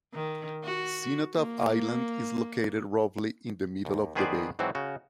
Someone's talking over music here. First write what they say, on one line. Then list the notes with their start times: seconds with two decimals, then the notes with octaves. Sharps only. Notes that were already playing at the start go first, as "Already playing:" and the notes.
Cenotaph Island is located roughly in the middle of the bay.
0.14 D#3
0.64 F#4
1.35 A#3
3.85 D#2
4.15 D#3 B3 G#4 B4 C5 D5
4.59 G#2 E3 F#3 C4 F#4
4.75 C#3 F#4